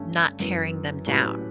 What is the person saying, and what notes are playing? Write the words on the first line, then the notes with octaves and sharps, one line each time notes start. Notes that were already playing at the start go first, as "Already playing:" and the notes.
not tearing them down.
Already playing: G2 D3 A3 C#4
F#2 E3 B3
A2 F#3 C#4 G4 B4